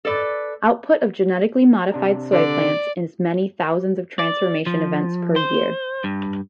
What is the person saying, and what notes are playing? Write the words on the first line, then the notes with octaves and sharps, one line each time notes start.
Output of genetically modified soy plants is many thousands of transformation events per year.
A4 B4 D5
C3 D4 A#5
D3 D5
D5
F3
C5
G2